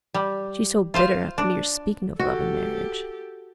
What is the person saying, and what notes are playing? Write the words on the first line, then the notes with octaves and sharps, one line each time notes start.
She's so bitter at the mere speaking of love and marriage.
G3
F4 C5 F5
D4
F#4 G4 A4